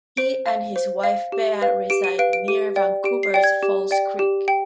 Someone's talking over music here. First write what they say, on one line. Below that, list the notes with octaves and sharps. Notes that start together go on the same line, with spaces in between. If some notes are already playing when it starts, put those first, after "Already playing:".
He and his wife Bea reside near Vancouver's False Creek.
C5 D7
F5
C5
F5
G4
B4 F5
G4 D7
D#7
B4 F5 D7
D7
G4 D#7
D5 G5
G4 D7
C7
D5 G5
G#6
G4
D5 G5
G4
G5